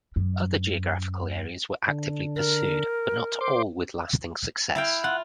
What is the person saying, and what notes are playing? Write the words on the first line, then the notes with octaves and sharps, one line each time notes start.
Other geographical areas were actively pursued but not all with lasting success.
F#2
D3
A#4
C5 C6 D6
E4 F5 G5
F4 F#5